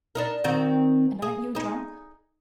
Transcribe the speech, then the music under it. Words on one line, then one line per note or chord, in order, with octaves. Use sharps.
And aren't you drunk?
D4 D#4 A#4
D#3 C4 F#4
G#4
D#4 G#4